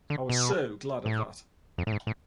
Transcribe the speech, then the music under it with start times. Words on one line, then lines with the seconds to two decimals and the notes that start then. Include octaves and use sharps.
I was so glad of that.
0.10 D3
0.29 B2
1.06 A2
1.78 F2
1.87 A2
1.92 G#2
2.07 A2